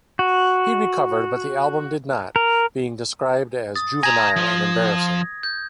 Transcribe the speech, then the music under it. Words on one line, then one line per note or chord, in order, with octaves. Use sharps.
He recovered but the album did not; being described as 'juvenile and embarrassing'.
F#4
A#4
D#6 A6
G#5 A#5 G#6 A#6
F3
G6